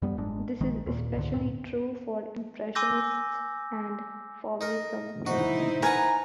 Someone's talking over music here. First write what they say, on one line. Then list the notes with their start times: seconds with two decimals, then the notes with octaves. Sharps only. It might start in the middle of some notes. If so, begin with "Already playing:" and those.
This is especially true for Impressionists and Fauvism.
0.02 F#2 G3 B3
0.18 G1 G#2 G#3 D4
0.61 A#1 D#3 G#3
0.86 D#2 A#2
1.16 C#2 G#2 D3
1.34 D2 G2 A#2 C4
2.75 G#5 C6 D6 E6 G6 A#6
4.61 D#4 A#4
5.27 D#4 E4 F#4 C5
5.83 A#4 B4 F#5 G#5 A#5